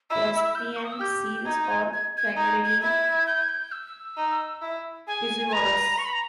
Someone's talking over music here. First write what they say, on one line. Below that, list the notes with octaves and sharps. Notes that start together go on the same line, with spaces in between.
Caspian seals are primarily piscivorous.
E4 E6
E6
G6
C#6
D#6
E6
G4 G6
G6
D#4 G#6
G#6
G#6
G#6
D#4 G#6
G#6
E4 G#6
G6
G#6
G6
E6
D#4
E4
G#4 G#5
G#5
B4 A#5
C#6
B5
A#5